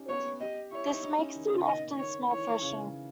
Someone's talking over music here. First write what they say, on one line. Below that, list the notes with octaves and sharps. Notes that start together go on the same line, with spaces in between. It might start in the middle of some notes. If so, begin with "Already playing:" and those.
This makes them often smell fresher.
Already playing: C#4 D#4 G4
B3 C#5
G4 D#5
E4 C#5
D#4
D#4
C#4
D#3
C#3
D#3 D#5
D#3 C#5
E3 C#5
C#3